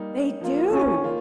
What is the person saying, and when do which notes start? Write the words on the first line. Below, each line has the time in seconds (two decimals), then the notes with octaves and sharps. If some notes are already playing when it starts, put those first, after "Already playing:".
They do!
Already playing: G3 A#3 D#4
0.41 F3 A#3 F4
0.72 C#4
1.03 D#3 A#3 F4